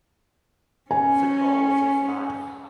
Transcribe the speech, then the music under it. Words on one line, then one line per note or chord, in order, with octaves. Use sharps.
Football was his life.
C#4 G#5